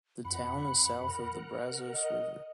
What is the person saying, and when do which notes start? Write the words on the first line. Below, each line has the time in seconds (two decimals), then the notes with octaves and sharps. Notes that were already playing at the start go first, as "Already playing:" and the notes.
The town is south of the Brazos River.
0.25 F2 F#5 B5
1.08 A#4 F#5
1.93 D#5